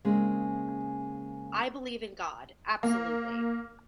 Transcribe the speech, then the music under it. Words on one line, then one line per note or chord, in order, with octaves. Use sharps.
I believe in God, absolutely.
C#3 G#3 A#3 C4
A#3